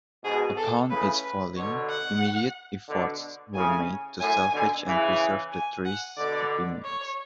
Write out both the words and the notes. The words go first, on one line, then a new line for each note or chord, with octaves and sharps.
Upon its falling, immediate efforts were made to salvage and preserve the tree's remains.
G#2 B2 G#4
A4
A2 C#3 B4
B4
B2 D3 C#5
F#5
B2 D3
A2 C#3 G#5
F#2 A2 G#5
B2 D3
C#3 E3
G#5
F#5
B2 D3 D5
C#5